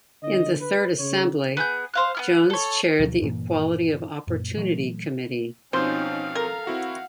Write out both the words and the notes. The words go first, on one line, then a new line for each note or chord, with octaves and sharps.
In the third Assembly, Jones chaired the Equality of Opportunity Committee.
D3 D#5
B4
C#3 C#5
B3 G#4 G6
C5 F5 F#6
B3 E4 F6
A4 C#5
D2 B2 F3 F#3
G2 A#2 E3 A#3
F#2 A#2
A#2 E3 F#3 A3
B2 F3 C4 C#4 D#4 C5 F5
A4 A#4 A#5
C4 E4 F#4 F#5